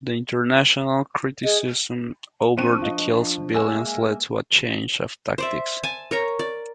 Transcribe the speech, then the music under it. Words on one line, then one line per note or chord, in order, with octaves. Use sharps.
The international criticism over the killed civilians led to a change of tactics.
G#4 D#5
F3 C4 D4 C#6 F#6 D#7
F4 D#5
G#3 A#3 E5 G#5 E6
C5 D5 E5
G#5 A5
A#4 C#5 A#5
D5